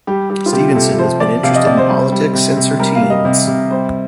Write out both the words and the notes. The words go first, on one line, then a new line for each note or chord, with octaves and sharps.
Stevenson has been interested in politics since her teens.
G3 G4
G3 G4
F4
C3 G4
C3 A4
F3 C5
F3 D5
C3 F5
D#5
C3 D5
C5
G3
G3
C3
C3
G3 A#4
F5
G3
D#5
C3
C3
G3 C5